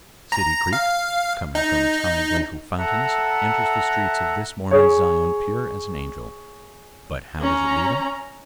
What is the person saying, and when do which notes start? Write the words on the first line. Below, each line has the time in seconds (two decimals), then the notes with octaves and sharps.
City Creek, coming from its high glacial fountains, enters the streets of this Mormon Zion pure as an angel, but how does it leave it?
0.32 A#5
0.73 F5
1.55 D#4
2.78 A4 E5 F#5 A#5
4.71 G#4 C#5
7.41 C#4 A#5